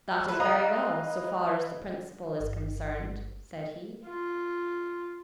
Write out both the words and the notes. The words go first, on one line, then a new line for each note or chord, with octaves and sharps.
"That is very well, so far as the principal is concerned," said he.
E4 B4
D#5 F5 A#5
G1
F4